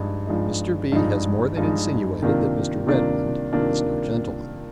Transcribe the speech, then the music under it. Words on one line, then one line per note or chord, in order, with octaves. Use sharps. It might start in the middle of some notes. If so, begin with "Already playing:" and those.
Mr. B. has more than insinuated that Mr. Redmond is no gentleman.
Already playing: G2 F3 G#3 D#4
G2 F3 G#3 D#4
G2 F3 G#3 D#4
G2 F3 G#3 D#4
C3 D#3 A#3 D4 F4
C3 D#3 A#3 D4 F4
C3 D#3 A#3 D4 F4